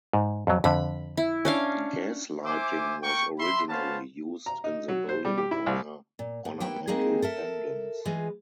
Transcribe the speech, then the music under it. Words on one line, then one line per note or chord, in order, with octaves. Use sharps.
Gas lighting was originally used in the building via ornamental pendants.
G#2
F2 F#3
F2 D3 B5
E4
C#4 D4 F5
C5 E5 G#5 D6
A#3 G5 C#6
E5 B5 C6
B3 C#4 C5 F5 A5
A#5
D#4
F#3
C5
G3
G4
E4
C2
A#2
A2
A#3 B3 E4 G5
G#3 A#3 C4 D#4 G#4
A4 A#4 E5
E3 G#3 F4 G#4